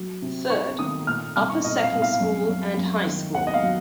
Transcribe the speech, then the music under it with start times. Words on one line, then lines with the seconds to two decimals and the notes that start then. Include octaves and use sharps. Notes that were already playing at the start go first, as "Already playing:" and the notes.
Third: upper second school and high school.
Already playing: F#3
0.22 C3
0.50 C3 C#6
0.79 D#3 D#6
1.07 A#2 F6
1.36 C2 F6
1.50 C#6
1.64 A#2 D#5
1.83 F5
1.92 C2
2.02 F5
2.21 F#2
2.49 F#2
2.77 F#2
3.06 D#3
3.34 D#2 F#5
3.47 D#5
3.54 F5
3.63 F#3